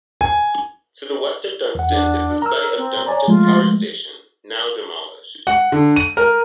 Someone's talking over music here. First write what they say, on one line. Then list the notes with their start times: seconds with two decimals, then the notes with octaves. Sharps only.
To the west of Dunston is the site of Dunston Power Station, now demolished.
0.21 G#5
1.75 E2 F#5
1.90 D4
2.42 A#4 A#5 E6
2.78 C4
3.06 C#5 D5 G#5 A#5
3.28 F3 G#3 A3 F4
5.47 F#5
5.72 D3
5.96 D#7
6.17 A#4